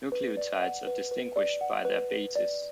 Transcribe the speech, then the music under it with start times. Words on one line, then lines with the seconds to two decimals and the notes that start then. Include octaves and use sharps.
Nucleotides are distinguished by their bases.
0.12 B4
0.37 D5
0.62 F#5
0.87 B4
1.11 B4
1.36 D5
1.61 F#5
1.85 B4
2.11 B4
2.35 D5